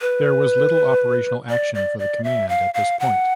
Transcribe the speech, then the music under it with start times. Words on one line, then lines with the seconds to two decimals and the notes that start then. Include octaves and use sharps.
There was little operational action for the Command at this point.
0.01 B4
1.49 D5
1.75 D5
1.99 D5
2.24 E5
2.49 F5
2.74 F5
3.00 F#5